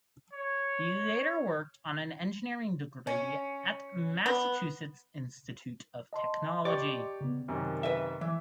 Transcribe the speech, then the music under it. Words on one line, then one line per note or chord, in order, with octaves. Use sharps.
He later worked on an engineering degree at Massachusetts Institute of Technology.
C#5
C#4
B3
D#5 A5 C6
G4 D5 C#6
C#3 B3
F#2 C3 D#3 G#5
B4 E5
E3 E5